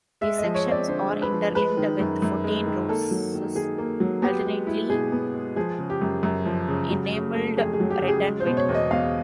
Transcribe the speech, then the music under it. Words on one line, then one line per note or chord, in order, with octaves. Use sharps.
The sections are interlinked with fourteen roses, alternately enameled red and white.
G#3 E5
D#5
F3
C#5
C4 D5
D3 C5
G#3
B4
F3
G#3 B4
D#3
F#2
F#2
G#3
D#3
A#3 A4
F#3
D#3
D#3 G#4
A#3
F#3
B3 G4
G#3
E4
B2 G#4
B3
G#3
F3 G#4
C#3
G4
F#2
F#2
F3
C#3
F#3
C#3
A3
F2 G#4
G#4
F#3
G4
C#3
G#4
G#3
C5
B2
C#5
E2
D#5
E2 F5